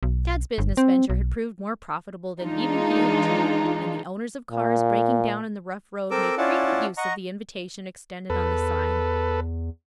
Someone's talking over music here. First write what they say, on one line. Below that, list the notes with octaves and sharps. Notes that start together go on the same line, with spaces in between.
Tad's business venture had proved more profitable than even he had dreamed, and the owners of cars breaking down on the rough road made frequent use of the invitation extended on the sign.
B1
G1
C4
B1
E3 G#3 D4 D#4 F4
A#2
C4 A4 A#4 D6 E6
C#4 E4 F4 D5 F#5 A5
D#5 F#5 A#5 C#6
E2 A4 B4